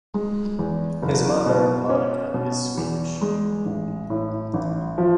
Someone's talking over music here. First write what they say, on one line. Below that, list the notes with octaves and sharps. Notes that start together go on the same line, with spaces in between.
His mother, Monica, is Swedish.
G#3
E2
F#1
B2
C#4
B2
E2
G#3
A1
A2
A1
F3